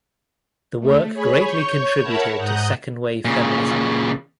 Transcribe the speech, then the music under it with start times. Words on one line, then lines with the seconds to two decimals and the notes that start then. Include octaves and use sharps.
The work greatly contributed to second wave feminism.
0.80 A3
1.13 G#4 C#5 B5
1.46 C#5 C#6 G6
2.01 A#4 C#5 E5 F#5 A5 B5
2.38 G#2 F#5 A#5 D#6 F#6 G6
3.25 A#2 C#3